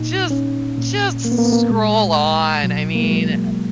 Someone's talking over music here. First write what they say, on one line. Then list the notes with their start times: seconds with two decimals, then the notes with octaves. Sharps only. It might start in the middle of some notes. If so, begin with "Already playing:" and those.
"Just just scroll on," I mean, i i
Already playing: A#2 D#4
0.30 C#4
0.78 A#2
1.25 A#3
1.32 B3
1.38 A#3
1.45 B3
1.53 A#3
1.71 A#2 G#3
2.63 B2 F#3
2.95 A#3
3.02 G#3
3.10 F#3